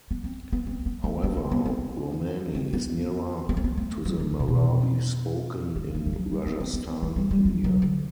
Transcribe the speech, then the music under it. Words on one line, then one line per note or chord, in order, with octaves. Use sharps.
However, Romani is nearer to the Marwari spoken in Rajasthan, India.
B3
C4
B3
C4
B3
A3
B3
B3
B3
C4
C4
B3
B3
C4
B3
A3
F#3
E3
C3
B2
D3
E3
G3
F#3
G3
B3
C4
B3
B3
A3
G3
G3
F#3
F#3
D3